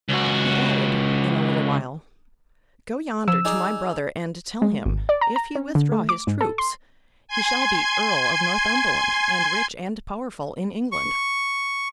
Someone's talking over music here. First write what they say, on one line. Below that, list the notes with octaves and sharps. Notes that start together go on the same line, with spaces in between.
He added, in a little while, 'Go yonder to my brother, and tell him, if he withdraw his troops, he shall be Earl of Northumberland, and rich and powerful in England.'
C#2 F#4
F3 E6
D#4 G#4 D5
G#3
G#1
D5
A#5
A#5
C#4
D3
A3
D6
G#2
A4
C6
G#5 C6 G#6
C#6